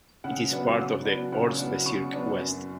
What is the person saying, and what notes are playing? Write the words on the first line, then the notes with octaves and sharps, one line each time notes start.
It is part of the "Ortsbezirk West".
C#3 F#5
F#3 B3 D4
C#3 F#5
F#3 B3 D4
C#3 F#5
F#3 B3 D4
C#3 C#6
F#3 B3 D4
F#2